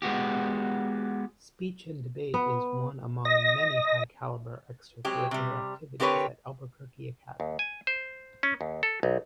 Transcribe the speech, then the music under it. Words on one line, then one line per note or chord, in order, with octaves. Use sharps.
Speech and Debate is one among many high caliber extracurricular activities at Albuquerque Academy.
G#3 B3 F#4 G4
B3
D#5 A#6
F#3 G#3 C4 G4
C3 G3
D3 C4 G4 A#4 B4 C#5
D#2
G#5
C5
C#4
D#2
A4
B1